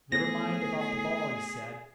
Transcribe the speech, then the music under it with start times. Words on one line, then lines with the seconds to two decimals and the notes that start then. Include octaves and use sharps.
"Never mind about the ball," he said.
0.12 A2 B3 G#4 A#6